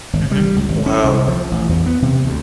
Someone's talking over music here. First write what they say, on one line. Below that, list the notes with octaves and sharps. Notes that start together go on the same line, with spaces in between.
Mhm, wow.
G#1
G3
C#2
G#1
C#4
C2
F3
A1
E2
B3
C3
D2